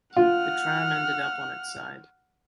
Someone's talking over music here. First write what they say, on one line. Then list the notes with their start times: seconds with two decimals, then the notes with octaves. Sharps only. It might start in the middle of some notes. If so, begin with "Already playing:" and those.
The tram ended up on its side.
0.16 F4 F#5 F6